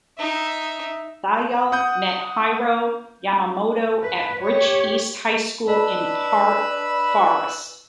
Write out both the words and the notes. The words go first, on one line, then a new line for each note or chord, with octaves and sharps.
Thayil met Hiro Yamamoto at Rich East High School in Park Forest.
D#4 E5
F#5 D#6 G6
B4
G4 C#5
D4 B4 D#5 A5 B5 E6